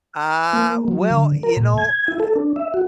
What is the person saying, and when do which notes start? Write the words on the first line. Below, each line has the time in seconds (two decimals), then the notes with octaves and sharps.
Uh, well, you know, eh
0.53 A#3
0.88 F#3
1.10 D3
1.43 A#4
1.57 A#2
1.78 G#6
2.08 E4
2.20 A4
2.36 D4
2.56 E5
2.74 F#4